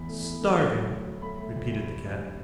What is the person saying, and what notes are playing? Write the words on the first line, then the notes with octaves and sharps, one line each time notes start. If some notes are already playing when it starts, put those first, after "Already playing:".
"Starving!" repeated the Cat.
Already playing: E2 B5
A3
E2
A3
F#3
F#3
D2
F#3
A3 B5
A3
D2
D2
G3
F#2